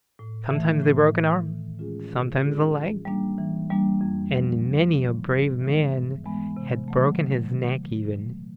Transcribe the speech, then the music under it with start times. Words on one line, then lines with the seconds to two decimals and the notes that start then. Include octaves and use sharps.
Sometimes they broke an arm, sometimes a leg, and many a brave man had broken his neck even.
0.19 A2
0.51 E3 A3
0.83 A2
1.14 E3 A3
1.46 D#3
1.79 G#3 C#4 F4 G#4
2.10 D#3
2.42 G#3 C#4 F4 G#4
2.74 E3
3.05 G3 A#3 D4
3.38 E3
3.70 G3 A#3 D4
4.01 F2
4.33 C#3 F3
4.65 F2
4.97 C#3 F3
5.29 G#2
5.61 E3 G#3 B3
5.93 G#2
6.24 E3 G#3 B3
6.57 C3
6.88 D#3 F#3 A3
7.20 C3
7.52 D#3 F#3 A3
7.83 A#2
8.16 F#3 A3